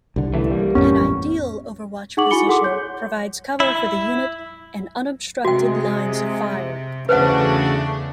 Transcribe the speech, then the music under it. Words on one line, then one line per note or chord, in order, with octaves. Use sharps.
An ideal overwatch position provides cover for the unit, and unobstructed lines of fire.
C2 D3
E3 A3
G3 A#3
A1 F2 B3 C#4
D#4 G#4 F#5 C#6 D6 F#7
E4 F#4 G#5 B5 C#7 G7
G#4 A4 F#5 C6 D6
C#5 G6
E4
C3 G#3 F#4 G5
E2 C#3 A3 D4 F#4 B4 C5 F#5